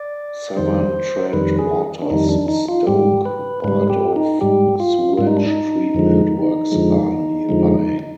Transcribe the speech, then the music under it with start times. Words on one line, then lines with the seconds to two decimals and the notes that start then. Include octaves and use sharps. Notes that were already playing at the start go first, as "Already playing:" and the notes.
Severn Trent Water's Stoke Bardolph Sewage treatment Works are nearby.
Already playing: D5
0.56 F2 D#3 G3 C5
1.33 F2 D#3 G3 B4
1.59 G#4
2.02 D4
2.10 F2 D#3 G3 D#4
2.29 D4
2.48 D#4
2.68 F4
2.87 G#2 G3 G4
3.25 B4
3.64 G#2 G3 B4
3.90 G4
4.16 D#4
4.41 G#2 G3 G4
4.80 F4
5.18 G#2 G3 F4
5.27 D#4
5.37 D4
5.46 D#4
5.94 F2 D3 F3 G#3
6.72 F2 D3 F3 G#3
7.49 F2 D3 F3 G#3